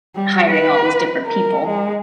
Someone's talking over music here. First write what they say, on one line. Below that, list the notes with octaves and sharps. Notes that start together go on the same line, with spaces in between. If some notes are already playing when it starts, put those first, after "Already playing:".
hiring all these different people.
G3
B4
A#4
G#3